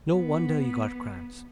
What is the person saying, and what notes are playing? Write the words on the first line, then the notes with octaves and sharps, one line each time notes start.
"No wonder you got cramps."
B3